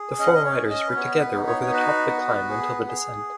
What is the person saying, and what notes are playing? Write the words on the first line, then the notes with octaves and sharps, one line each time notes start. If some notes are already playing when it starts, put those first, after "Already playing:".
The four riders were together over the top of the climb until the descent.
Already playing: G#4
C#4 D#5
F#5
D#5
C#5
C#4
D#5
B4
B3 C#5
B4
D#4
C#5
C#5
F#4 B4
B3
G#4
G#4